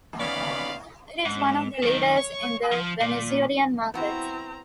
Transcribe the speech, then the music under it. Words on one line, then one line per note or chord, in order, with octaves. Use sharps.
It is one of the leaders in the Venezuelan market.
B3 C#4 D#4 D5 F5 B5
G#2
F#2 D#3
C#5
F3
A#2
B3 C4 E4 F#4 A#5